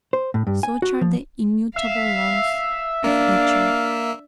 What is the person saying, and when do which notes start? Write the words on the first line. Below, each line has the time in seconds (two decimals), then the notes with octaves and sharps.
Such are the immutable laws of nature.
0.13 C5
0.34 A2
0.47 G2
0.63 G#5
0.82 F#4
1.01 F3
1.76 E5 F5
3.04 A#3 D4 F5